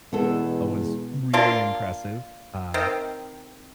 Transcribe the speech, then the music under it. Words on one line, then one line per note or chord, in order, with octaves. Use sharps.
oh, was really impressive. Uh,
E2 B2 G#3 B3 A4
A#3 D4 F4
D#3 C4